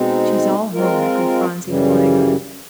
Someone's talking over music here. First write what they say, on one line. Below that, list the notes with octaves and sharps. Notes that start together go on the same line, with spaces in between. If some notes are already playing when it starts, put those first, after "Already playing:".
"She's all home," echoed Phronsie, flying up.
Already playing: B2 G#3 C4 D#4
G#3 C4 F4 A#4
F#2 C#3 E3 G3